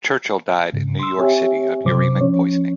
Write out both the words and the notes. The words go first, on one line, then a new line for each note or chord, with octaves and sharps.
Churchill died in New York City, of uremic poisoning.
G#2 C#3
C6 E6
C4 G4 C#5 E5 G#5
F#2 C3 F#3 C5 D6
F3 C#4 C#5